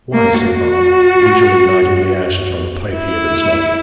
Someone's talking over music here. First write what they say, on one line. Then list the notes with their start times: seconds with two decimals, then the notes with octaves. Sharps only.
'Why?' said Bob, leisurely knocking the ashes from the pipe he had been smoking.
0.13 A#3
0.44 F#4
2.95 E4